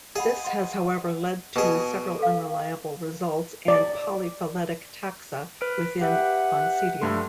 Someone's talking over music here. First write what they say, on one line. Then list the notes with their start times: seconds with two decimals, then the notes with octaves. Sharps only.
This has however led to several unreliable results and polyphyletic taxa within "Oncidium".
0.16 G#4 D#5 F#5 B5
0.44 D#5 F#5 C6
1.56 B2 G#4
2.19 A4 F5
3.68 D5
5.61 B4 F6 D7
6.01 G4 B4 E5 F#5
7.02 G2 A3 C6